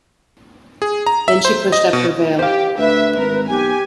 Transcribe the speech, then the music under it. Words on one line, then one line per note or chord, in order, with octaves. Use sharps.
Then she pushed up her veil.
G#4
A#5
E5
C5
D#5
B2
G4 C5 F5
D2 B4 E5
G#1 A#4
B1 G4 G#5